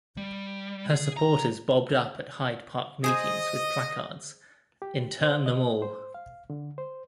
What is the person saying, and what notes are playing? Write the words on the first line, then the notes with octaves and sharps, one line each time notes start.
Her supporters bobbed up at Hyde Park meetings with placards: "Intern Them All".
G3
G#4
A#5
G#4 C5 D#5 G#5
G4
C5
D#5
C5
F5
D3
C5